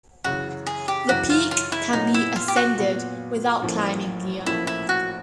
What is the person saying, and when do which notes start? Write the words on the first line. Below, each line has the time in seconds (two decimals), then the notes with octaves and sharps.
The peak can be ascended without climbing gear.
0.24 F#2 C#3 E3 F#4
0.67 G#4
0.88 G4
1.09 F#2 C#3 E3 F#4
1.30 F4
1.51 F4
1.72 E4
1.93 A#2 F#3 B3 D#4
2.14 E4
2.36 F4
2.48 G4
2.56 F#4
2.77 A#2 F#3 B3
3.62 A1 A2 F3 A#3
4.46 A1 A2 F3 A#3 E4
4.67 E4
4.89 F#4